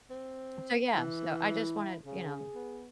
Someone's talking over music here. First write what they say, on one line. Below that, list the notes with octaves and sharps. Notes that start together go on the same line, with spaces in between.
so yeah, so, I just wanna, you know,
C4
E3
E4
C#3 G#4
B3